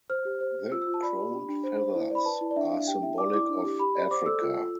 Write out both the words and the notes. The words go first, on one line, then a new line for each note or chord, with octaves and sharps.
The crowned feathers are symbolic of Africa.
C5 F6
G4
C5
C5
F4 E6
E6
F4
A5
D5 B5
G4
D4
D4
C5
C5
E4
D5 B5
B4 A5
E4
D5
D4 E5
D4 F5
G4 G5
E4 E5
D5 D6
E4 D6
D4
G4
G4 B5
D5
C5 D6
A4 E6
F4
F4